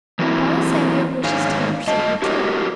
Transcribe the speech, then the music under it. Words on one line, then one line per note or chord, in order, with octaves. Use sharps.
Paula's Saviour wishes to be your Saviour too.
E3 F#3 A#3 C4 D#4 E4
G#2 D#3 C#5 F5 G#5
G2 D#5 A5
E4 F#4 G4 A#4 C#5